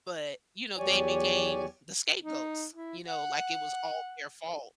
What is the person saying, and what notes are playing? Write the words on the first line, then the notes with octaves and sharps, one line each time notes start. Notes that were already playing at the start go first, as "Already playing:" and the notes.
But, you know, they became the scapegoats, you know, like, it was all their fault.
E2 F#3 G4 C#5 D5 G#5
D#4
E4
F#5